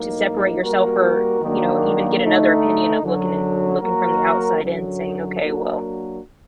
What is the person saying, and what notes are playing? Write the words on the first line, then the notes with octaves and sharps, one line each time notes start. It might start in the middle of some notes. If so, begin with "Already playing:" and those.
to separate yourself, or, you know, even get another opinion of looking and looking from the outside in saying, "Okay, well,
Already playing: A2 F#3 A#3 D#4
G3 A#3 F#4 A#4
D#3 F#3 A#3 D4 F#4
D3 A3 D#4
F#2 D3 F#3
F#3 A#3 F#4 A#4
F#2 D3 F#3
F#3 A#3 D4 F#4 A#4